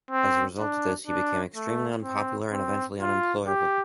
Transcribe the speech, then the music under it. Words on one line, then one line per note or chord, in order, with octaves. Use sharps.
As a result of this, he became extremely unpopular and eventually unemployable.
C4
D4
D4
A3
C4
C4
F4
G4